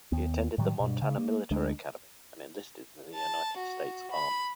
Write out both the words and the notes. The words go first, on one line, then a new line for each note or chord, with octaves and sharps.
He attended the Montana Military Academy and enlisted in the United States Army.
D#2 B3
A2 D#3 F#3 G3
G2 B2
C#3
A#3
D2 G#3 D4
A5
F#4
B5